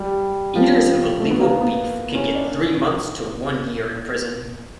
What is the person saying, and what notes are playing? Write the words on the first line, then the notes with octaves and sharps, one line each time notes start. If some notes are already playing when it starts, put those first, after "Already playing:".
Eaters of illegal beef can get three months to one year in prison.
Already playing: G3
F3
A3
B3
A#3
B3
C#4
D4